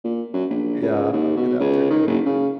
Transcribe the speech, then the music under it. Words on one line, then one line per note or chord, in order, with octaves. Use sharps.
Yeah, have a good afternoon.
A#2
F#2
A#1
C#2
D#2
B2
C#2
D#3
F#1
C#3